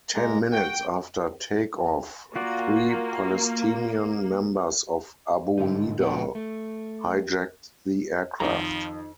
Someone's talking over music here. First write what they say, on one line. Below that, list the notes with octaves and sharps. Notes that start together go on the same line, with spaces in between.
Ten minutes after takeoff, three Palestinian members of Abu Nidal hijacked the aircraft.
G#3 A#3 A#5
F#4 F#5 G5
A#3 F4 F#4 D5
G#2 D3 D#4
A#2 F3 B3 D4 F#4 G4
A3
F2 D#3 F3 D#4 A#5